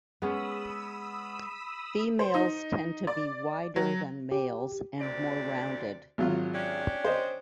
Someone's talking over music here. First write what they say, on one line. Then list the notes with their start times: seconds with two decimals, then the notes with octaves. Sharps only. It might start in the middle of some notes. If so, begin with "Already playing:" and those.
Females tend to be wider than males and more rounded.
0.22 G#3 B3 C#4 B5 D#6 E6
2.19 C5
2.34 D#4
3.07 D5
3.76 F#3
4.32 G4
5.00 D2 C3 D5
6.18 G#1 F#3 F4
6.53 C#4 D4 G4
7.04 C5 D#5